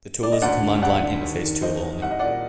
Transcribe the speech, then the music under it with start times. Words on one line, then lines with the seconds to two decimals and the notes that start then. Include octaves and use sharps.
The tool is a Command Line Interface tool only.
0.23 D5
0.32 D#5
0.42 D2 D5 F#5
0.62 D3
0.82 D2 D5 F#5
1.02 D3
1.22 D#2
1.42 D#3
1.62 D#2 C5 D#5
1.82 D#3
2.02 C2 F#5
2.11 D#5
2.19 A#2 D5 F#5